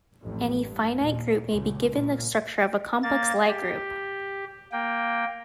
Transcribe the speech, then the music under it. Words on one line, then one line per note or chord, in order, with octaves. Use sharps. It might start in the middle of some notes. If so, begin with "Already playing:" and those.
Any finite group may be given the structure of a complex Lie group.
A1 F2 A2
G2
D#2 A#2
C#2
A#2
A#3 A6
G4
A#3 G5